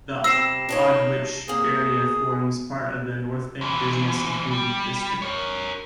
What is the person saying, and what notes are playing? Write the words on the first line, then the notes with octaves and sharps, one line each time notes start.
The Aldwych area forms part of the Northbank business improvement district.
C3 G3 E6 A#6 C7 E7
D4 D#4 C#5
C3 A#3 G#4
D2 E3
G3
A#4 C#5